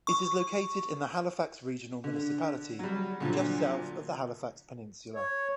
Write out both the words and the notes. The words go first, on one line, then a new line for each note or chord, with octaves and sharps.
It is located in the Halifax Regional Municipality, just south of the Halifax peninsula.
C#6
D3
F#3 G3
A#2 D3 F3 F#3
C#5